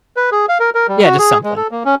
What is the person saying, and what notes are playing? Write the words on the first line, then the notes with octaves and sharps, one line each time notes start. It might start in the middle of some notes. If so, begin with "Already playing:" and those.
Yeah, just something.
B4
G#4
F5
A#4
A#4
G3
F#4
G#4
G#3
A4
A#3
C#4